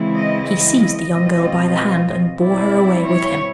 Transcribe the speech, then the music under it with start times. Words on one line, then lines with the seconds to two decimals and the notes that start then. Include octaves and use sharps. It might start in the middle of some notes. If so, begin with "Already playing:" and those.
He seized the young girl by the hand and bore her away with him.
Already playing: C#3 E3 G#3 C4 E4
0.16 D#5
0.48 D#5
1.13 B2 G#3 C4 F4
2.40 B2 G3 C4 E4 D5
3.05 C#5